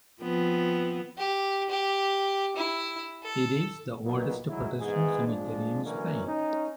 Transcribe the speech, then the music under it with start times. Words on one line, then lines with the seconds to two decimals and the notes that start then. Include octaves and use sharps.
It is the oldest Protestant cemetery in Spain.
0.21 F3 B3 C4
1.18 G4
1.70 G4
2.56 E4
3.23 A4
4.04 B1 A#2 F#3 B3
4.48 F#3 G#3 E4
4.79 G#2 E3 B3 G#4
5.27 F3 G#3 D4
5.84 D3 E3 F#3 A#3 C#4
6.27 C#4 D#4